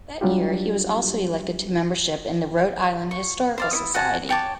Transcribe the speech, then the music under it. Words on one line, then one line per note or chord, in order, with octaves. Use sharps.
That year he was also elected to membership in the Rhode Island Historical Society.
F#3 G3 D4 F4 G4
C#6
C5 D5 F5
E4 C#5 D#6
F#4 F#5 G#5 A5
C#5 G5 A5 D6